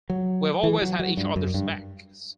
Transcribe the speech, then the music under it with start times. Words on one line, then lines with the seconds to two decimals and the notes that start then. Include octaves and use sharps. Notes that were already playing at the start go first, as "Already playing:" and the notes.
We've always had each other's backs.
0.10 F#3
0.63 E3
0.82 F#3
0.99 F#3
1.17 G2
1.36 F#2
1.54 G2